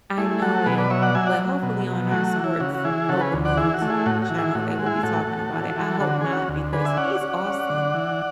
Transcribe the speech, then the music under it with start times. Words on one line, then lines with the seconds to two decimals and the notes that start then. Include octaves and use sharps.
I know it. But hopefully on our sports local news channel, they will be talking about it. I hope not because he's awesome.
0.17 A3 E4 G#4
0.42 F#3 F#4 A4
0.66 B2 G#4 B4
0.78 B4 D5
0.90 F#3 C#5 E5
1.02 D5 F#5
1.15 F#3 E5 G#5
1.27 D5 F#5
1.39 F#3
1.63 B2
1.87 F#3
2.11 A3 F#4
2.27 F#4
2.36 E3
2.44 E4
2.60 C#3 F#4
2.75 F#4
2.84 E3 E4 G#4
3.09 C#3 F#4 A4
3.21 G#4 B4
3.33 D2
3.45 D5 F#5
3.57 E3 E4 G#4
3.74 F#4
3.81 A3
3.90 E4 G#4
4.06 A2 F#4
4.22 F#4
4.30 E3
4.38 E4 G#4
4.55 A2 F#4
4.71 F#4
4.79 G#3
4.86 E4 G#4
5.03 A2 F#4 A4
5.27 A2
5.52 E3
5.76 E3
6.00 D3 F#4
6.21 C#4 G#4
6.32 F#4
6.48 D2
6.73 D3 G#4 B4
6.85 E5 G#5
6.97 C#4 D5 F#5
7.21 C#4
7.46 C#4
7.70 D3
7.95 E3